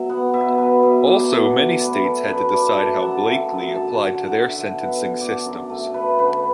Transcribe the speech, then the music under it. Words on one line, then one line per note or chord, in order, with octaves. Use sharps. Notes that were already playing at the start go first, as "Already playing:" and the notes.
Also, many states had to decide how "Blakely" applied to their sentencing systems.
Already playing: B2 F#3 E5
B3 F#5
B2 E5
F#3 B4
B2 E5
A3 D5
B2 F#5
A3
D5
A3 B4
A3 A4
F#2 B4
A3 D5
A3 A5
F#2 F#5
A3
F#2
D3 A5
D3 F#5
D3 F#5
F#5
D3 E5
B3
D3
D3 D5
F#2
A3
A3 B4
D3 B4